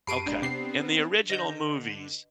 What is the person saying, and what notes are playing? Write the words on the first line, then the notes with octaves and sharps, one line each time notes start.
Okay. In the original movies,
F#2 G4 A5 B5 C7 D7 D#7
G#1 G#3 D4 D5 A#5
C3 B3 C4 G4 C7
D3 B4 D#5 G6 A#6